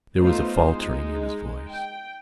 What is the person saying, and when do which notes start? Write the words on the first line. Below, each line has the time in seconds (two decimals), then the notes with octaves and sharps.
There was a faltering in his voice.
0.18 A3 B3 D#4 F4 C5
0.62 G#3 D#4
1.68 G5